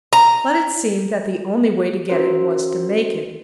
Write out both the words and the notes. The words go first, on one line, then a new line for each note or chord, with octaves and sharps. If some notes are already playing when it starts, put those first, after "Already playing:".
But it seemed that the only way to get it was to make it.
A#5
C#4 F#4 A#4 C5